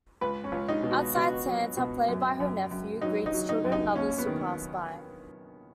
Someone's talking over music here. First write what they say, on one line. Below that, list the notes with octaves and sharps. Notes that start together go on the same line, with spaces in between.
Outside Santa, played by her nephew, greets children and others who pass by.
C#2 B4
C#4
C#2
D#4
B2
F#4
B2 F#4
F#3
B2
F#2
F#2
F#2
F#3 D#4
D#4
F#3
D#4
F#2
D#4
D#2 C#4
B3
D#3